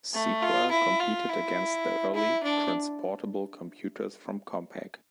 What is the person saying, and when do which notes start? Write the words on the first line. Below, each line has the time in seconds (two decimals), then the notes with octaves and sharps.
Seequa competed against the early "transportable" computers from Compaq.
0.14 A3
0.43 F4
0.71 E4
1.00 F4
1.29 E4
2.15 E4
2.44 D4